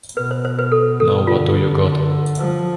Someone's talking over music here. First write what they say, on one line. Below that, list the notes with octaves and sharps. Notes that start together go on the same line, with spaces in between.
Now what do you got?
B2 B4
C5
C5
B4
A4
A4
D3 F4
F3